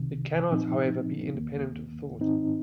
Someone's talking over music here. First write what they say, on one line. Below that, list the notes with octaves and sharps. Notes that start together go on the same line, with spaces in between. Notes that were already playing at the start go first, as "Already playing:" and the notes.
It cannot, however, be independent of thought.
Already playing: C2 C3 D#3
A#2 F3 C4 D#4
D#2 D#3 A#3
G#2 D#3 C4 D#4